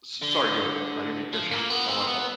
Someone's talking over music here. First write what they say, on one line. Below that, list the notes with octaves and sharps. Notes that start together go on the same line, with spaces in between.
s sorry, go ahead. I didn't mean to cut you off. No, my fault.
D3
F3
A#3
B3
C4
B3